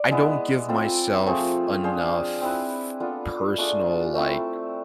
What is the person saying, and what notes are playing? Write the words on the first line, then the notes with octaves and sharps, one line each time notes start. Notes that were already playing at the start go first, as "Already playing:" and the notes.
I don't give myself enough personal, like
Already playing: D5
G#3 B3 E4
C4 F4 A4
F3 A3 C4 G#4
D4 G#4 C5 F5
C4 E4 B4
B3 D4 F4 A4
A3 D4 F4 G#4
A3 C4 E4